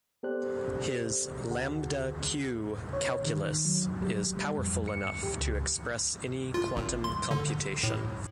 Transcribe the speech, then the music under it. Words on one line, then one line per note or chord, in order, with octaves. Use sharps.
His lambda-q calculus is powerful enough to express any quantum computation.
B3 G4 A4 C5 D5 F#6
D2 D3 F#4 G#4 F#5
C#5
D#3
F#3
G3
G3
F2
C#7
G4
C#2
F4
G#1
C6
D3
A2